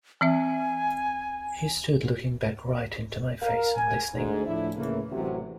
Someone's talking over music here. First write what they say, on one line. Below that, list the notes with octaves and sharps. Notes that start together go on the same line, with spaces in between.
He stood looking back right into my face and listening.
E3 C4 E5 G#5
A#4 F5
G#5
D2 G#2
A2 F3 D4 E4
A2 C#3 E3 A3 A#3
A1 C3 F#3